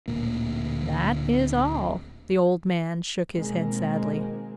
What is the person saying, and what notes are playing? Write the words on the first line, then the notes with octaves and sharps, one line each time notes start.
"That is all." The old man shook his head sadly.
D1 D2 A#2 A#3
B2 D#3 G#3 A#3 C4